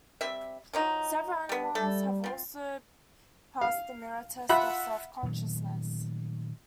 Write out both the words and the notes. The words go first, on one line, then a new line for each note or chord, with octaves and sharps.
Several animals have also passed the mirror test of self-consciousness.
G3 C4 E5
F3 F#3 D#4
G3 B3
G3 A3 A4
F3 C4
F5
F4 E5 F#5 B5
A#2 D#3 F#3 A3